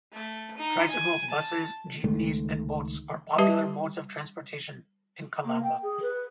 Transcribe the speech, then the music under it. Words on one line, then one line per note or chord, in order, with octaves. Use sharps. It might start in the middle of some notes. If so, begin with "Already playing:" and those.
Tricycles, buses, jeepneys, and boats are popular modes of transportation in Calamba.
A3
D#4
G#5
A5
C#2 D#3 G#3 A3
G3 G4 B4 E5 A5
A#3
G5
G#4
B4